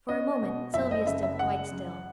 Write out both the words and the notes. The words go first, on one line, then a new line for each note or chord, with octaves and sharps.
For a moment Sylvia stood quite still.
C#4 D#5
B2
F#1 E5
D#5
C#3 E5
E5
G#3 F#5
F#2